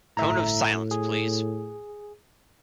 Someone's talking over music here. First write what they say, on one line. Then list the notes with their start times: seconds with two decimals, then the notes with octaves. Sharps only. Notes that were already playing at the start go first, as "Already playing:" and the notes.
Cone of silence, please.
0.17 G1 A2 E5 A#5
0.91 G#4